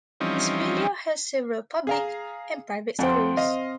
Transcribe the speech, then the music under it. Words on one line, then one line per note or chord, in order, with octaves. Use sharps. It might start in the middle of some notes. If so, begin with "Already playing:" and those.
Ismailia has several public and private schools.
E3 F3 G3 C4 C#4 D#4
G#4 F5 A#5
F2 C4 C5 F#5 G5
D#5 F5